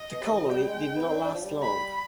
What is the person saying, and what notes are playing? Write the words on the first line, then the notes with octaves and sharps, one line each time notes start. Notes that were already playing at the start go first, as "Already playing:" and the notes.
The colony did not last long.
Already playing: D#5
B2
C3
D#3
F3
G3 G5
G#3
B3
C4
D4
D4
F3
G3
B5